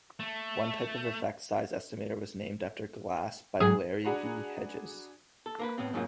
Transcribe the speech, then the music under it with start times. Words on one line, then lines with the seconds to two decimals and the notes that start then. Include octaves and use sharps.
One type of effect size estimator was named after Glass by Larry V. Hedges.
0.20 A3
3.60 G#2 F#3 G#4
4.04 D4 F#4 G#4 F#5 A#5 B5
5.46 A4
5.59 A#3 A#4 B4
5.78 A2 B3 C4
5.93 F2 G#2 C#3 F3 F#3 A#3